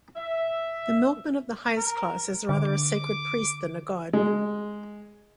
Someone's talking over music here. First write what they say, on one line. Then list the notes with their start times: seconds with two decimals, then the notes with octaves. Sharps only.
The milkman of the highest class is rather a sacred priest than a god.
0.15 E5
1.77 A#4
2.49 D3 D6
4.13 G#3